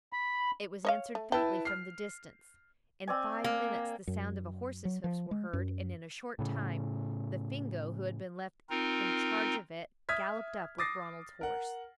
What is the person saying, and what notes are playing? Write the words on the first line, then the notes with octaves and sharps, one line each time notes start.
It was answered faintly from the distance; in five minutes the sound of a horse's hoofs were heard, and in a short time the Fingo who had been left in charge of it, galloped up with Ronald's horse.
B5
C#5 D#5 F5
A3
E4 B4 G5 A5
F6 C7
C4 D5 G#5
A#3
F#2
F#3
F3
G#3
F#2
A2 C#3
C4 D#4 F4 A#4
E5 D#6 F6 G#6 B6
D6 D#6 A6 A#6 C7
A#4 F#5